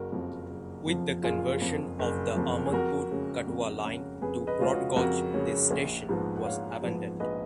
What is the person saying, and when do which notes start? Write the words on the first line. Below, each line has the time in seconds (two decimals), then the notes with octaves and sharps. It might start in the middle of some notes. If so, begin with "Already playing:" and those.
With the conversion of the Ahmadpur–Katwa line to broad gauge this station was abandoned.
Already playing: F#1 F#4 A#4
0.12 F2 F3
0.50 F#1
0.87 F2 F3
1.24 F#1 F4 G#4
1.62 F2 F3
1.99 F#1
2.36 F2 F3
2.66 G#4
2.73 F2 F#4 A#4
3.11 C#3 G#3 C#4
3.47 F2
3.84 C#3 G#3 C#4
4.22 F2 G#4 B4
4.47 B4 D#5
4.59 C#3 G#3 C#4 F4
4.72 F#4
4.96 F2 F#4 A#4
5.34 C#3 G#3 C#4
5.71 A#1
6.09 G#2 F3 B3
6.35 F#5
6.46 A#1 C#5 F5
6.82 G#2 F3 B3
7.20 A#1 B4 D#5